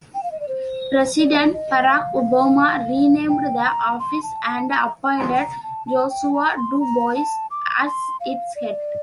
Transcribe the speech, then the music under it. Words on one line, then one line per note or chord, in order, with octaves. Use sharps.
President Barack Obama renamed the office and appointed Joshua DuBois as its head.
G5
F5
D#5
D5
C5
D5
D#5
F5
G5
A#5
C6
A5
A5
A#5
C6
A#5
A5
A5
G5
A#5
C6
A#5
A5
D6
C6
F5
D5